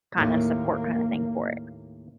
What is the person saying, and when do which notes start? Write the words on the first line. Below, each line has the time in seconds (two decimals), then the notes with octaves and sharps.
kinda support kinda thing for it.
0.18 D#2 A2 A#3